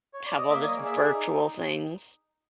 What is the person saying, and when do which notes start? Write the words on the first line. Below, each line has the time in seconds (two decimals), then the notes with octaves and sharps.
have all this virtual things.
0.13 C#5
0.26 D5
0.38 D#5
0.49 A#3 D5 E5
0.62 D5
0.67 C#5 D#5
0.76 G#4
0.85 D5 E5
1.03 D#4 D5 E5